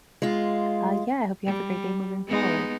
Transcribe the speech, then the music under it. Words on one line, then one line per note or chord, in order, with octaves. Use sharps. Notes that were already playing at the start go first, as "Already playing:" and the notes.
uh, yeah, I hope you have a great day moving forward.
G#3 F4
G3
G#3 B3 D#4